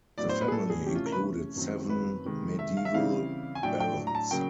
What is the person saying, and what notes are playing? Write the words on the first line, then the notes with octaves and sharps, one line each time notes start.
The family included seven Medieval Barons.
A2 F#3 B3 D4 D5
C5
B4
G#4
A4
G#4
C3 E3 A3 C#4 G4
F4
A#4
B4
F#2 D#3 F#3 A3 C4
B4
C3 D#3 G#3
E5
F5
E5
C#3 E3 G3 C4 E4 F5
G#5
A2 F#3 A3 D4 G5
G5
A#5
A5
C#3 F#3 A#3 G5